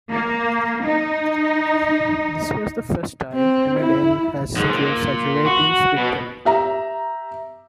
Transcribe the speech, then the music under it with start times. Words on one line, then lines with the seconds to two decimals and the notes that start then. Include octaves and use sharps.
This was the first time "Emmerdale" has secured such a ratings victory.
0.11 A#3
0.85 D#4
3.33 C4
3.79 E4
4.56 G#2
4.70 A#2
5.46 F#4
5.98 B2
6.45 G4 E5 A#5